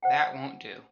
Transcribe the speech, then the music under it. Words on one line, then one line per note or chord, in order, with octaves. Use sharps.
That won't do.
C5 F#5 G5